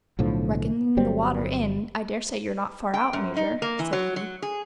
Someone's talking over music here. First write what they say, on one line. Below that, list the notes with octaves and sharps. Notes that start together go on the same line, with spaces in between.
"Reckoning the water in, I daresay you're not far out, Major," said he.
B1 A2 D3 F3
G1 F#3 G3 C4
G5
F#2
D#4
A#3
E3
F#3
F#3
G#4